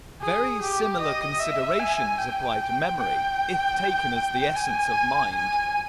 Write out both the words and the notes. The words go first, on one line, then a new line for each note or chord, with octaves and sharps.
Very similar considerations apply to memory, if taken as the essence of mind.
G#4
G4
D#5
E5
G#5
G5
G5
G#5
G#5